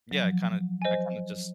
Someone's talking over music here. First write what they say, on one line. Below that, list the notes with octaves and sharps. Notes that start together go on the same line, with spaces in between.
Yeah, I kinda I kinda just
F#3
F3
C5 D#5 G#5